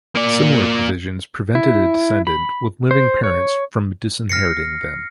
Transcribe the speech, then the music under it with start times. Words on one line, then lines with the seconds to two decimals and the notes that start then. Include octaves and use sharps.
Similar provisions prevented a decedent with living parents from disinheriting them.
0.16 A#3 D5
1.55 E4
2.27 B5
2.91 C5
3.24 C#5
4.29 F6 A#6 C7 C#7